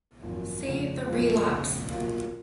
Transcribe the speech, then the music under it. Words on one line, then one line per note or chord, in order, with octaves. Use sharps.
See "The Relapse".
G#1 F#2 F3 A#3 F4
F1 F2 C#3
F#2 F3 G#3 B3 F4
F1 D#2 C#3
A#2 F#3 A#3 F4